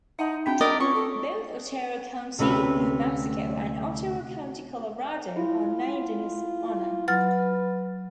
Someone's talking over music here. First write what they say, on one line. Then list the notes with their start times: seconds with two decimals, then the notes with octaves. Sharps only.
Both Otero County, New Mexico and Otero County, Colorado are named in his honor.
0.19 D#4 E5 F#5 A5
0.46 C4 D4 G5 B6
0.61 A#4 D5 D#5
0.80 C#4 F4 C#6
0.95 A4
2.39 D2 C3 A3 C#4 B4 E5
5.37 E4 F4
7.08 F#3 B4 F6 A6